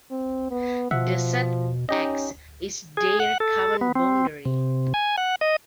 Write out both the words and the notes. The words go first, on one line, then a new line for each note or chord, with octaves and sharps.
The set "X" is their common boundary.
C4
B3
B2 F3 E5 F#5
C#4 D#4 G4 D#5
G#4
F#5
A4
B3
C4
C3
G#5
F#5
D#5